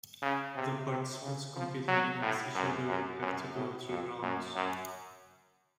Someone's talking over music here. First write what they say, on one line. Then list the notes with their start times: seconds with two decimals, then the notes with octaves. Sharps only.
The participants competing against each other have to go through rounds.
0.22 C#3
0.55 C3
0.88 C3
1.22 C#3
1.55 F3
1.88 F#3
2.22 A2
2.55 F#2
2.88 F#2
3.22 F#2
3.56 A2
3.89 F2
4.22 F#2
4.55 F#2